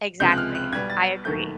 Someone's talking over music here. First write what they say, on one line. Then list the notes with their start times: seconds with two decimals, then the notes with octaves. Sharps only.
Exactly. I agree.
0.20 C#2 C3 F3 G#3 C4 G6
0.32 F#6
0.38 F6
0.55 F#6
0.72 B1 B2 G3 B3 G#6
0.90 A6
1.25 E1 D#2 D#3 F#3 A3 G6